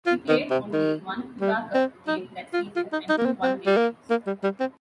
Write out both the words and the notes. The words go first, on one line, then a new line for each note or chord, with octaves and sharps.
He played only one Pura Cup game that season and two one-day games.
F4
D#3
C3
D#3
G3
C4
D#4
F4
F4
D#4
D#4
A#3
C4
C4
G3
A#3
A#3
G3
G3
C4